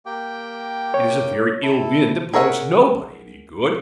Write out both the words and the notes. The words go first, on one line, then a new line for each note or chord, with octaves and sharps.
It is a very ill wind that blows nobody any good.
A#3 G4 G5
C#5
E4 A4
G#4 A#4 C#5 E5 F#5